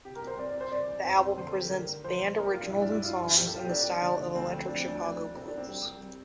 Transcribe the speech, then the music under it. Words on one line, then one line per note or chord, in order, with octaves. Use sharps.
The album presents band originals and songs in the style of electric Chicago blues.
C3 G4
A#4
C2
C5
C2 D5
D5
C2
C5
C3 D5
E3
F2 C5
C3
D3 C5
A4
G3
G4
D3 A#4
D3
F3 C5
A#2
C2 A#4
G4
F3 F4
D4
G2 E4
D4
G3 E4
G2 F4
G2
C2 G4
A4
G3 F4
G4
C4
C2 D4
G3
D3 D4
D3
D2 C4
F3
F3 D4
C4
D2 D4
F3
D2
C2 C4
D4
C2
C4
G3
C2
G3